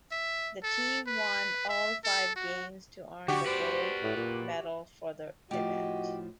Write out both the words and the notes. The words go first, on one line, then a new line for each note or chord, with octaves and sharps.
The team won all five games to earn the gold medal for the event.
E5
A4
B4
E5
A4
F#4
D3 F#4 G4
B4 C5 D5
A2
A#2
A2 F3 F#4 G4 D#5